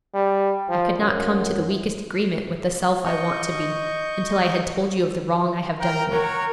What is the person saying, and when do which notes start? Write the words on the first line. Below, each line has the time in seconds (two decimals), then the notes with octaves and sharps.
I could not come to the weakest agreement with the self I want to be, until I had told you of the wrong I have done you.
0.14 G3
0.69 F3
0.99 F#2
3.05 D#5 C#6 G6
5.80 A#4 G5
6.12 F#4 A#4 C#5 A#5